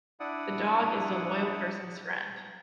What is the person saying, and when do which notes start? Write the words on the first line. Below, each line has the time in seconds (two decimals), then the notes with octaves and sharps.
The dog is the loyal person’s friend.
0.20 D4 E4 D5 F#5 D#6